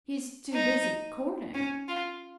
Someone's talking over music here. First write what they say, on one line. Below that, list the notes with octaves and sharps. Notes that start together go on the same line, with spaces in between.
"He's too busy, courting."
D#4
C#4
F4